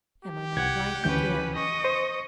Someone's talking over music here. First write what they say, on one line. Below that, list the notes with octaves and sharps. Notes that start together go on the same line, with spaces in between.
Am I not right again?
G4
C2 F#5 G#6
D2 E3 C#4 B4 G6
D#5 C#6
C5